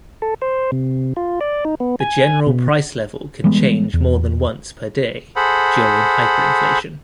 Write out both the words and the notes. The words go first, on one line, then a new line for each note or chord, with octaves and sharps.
The general price level can change more than once per day during hyperinflation.
A4
C5
C3
F4
D5
D#4
B3
G#5
B2
E3 G3 G#3 B3
E2
G#4 A4 C5 F#5 B5